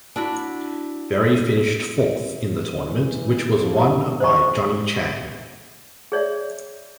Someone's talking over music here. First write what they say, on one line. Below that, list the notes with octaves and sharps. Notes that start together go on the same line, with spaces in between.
Berry finished fourth in the tournament, which was won by Johnny Chan.
D4 E4 F#4
E3
F3 E4 G4
C5 C#6
G#4 C#5 D5 E5